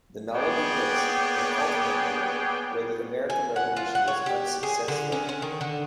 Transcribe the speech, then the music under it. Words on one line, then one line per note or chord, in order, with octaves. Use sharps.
The novel depicts an alternate world where the American Revolution was unsuccessful.
A#3 B3 G#4 C#5 D5 G5
G#5
F#5
F4
F#5
C#5
G4
G#4
D3
C#4
C#4
D#3
D3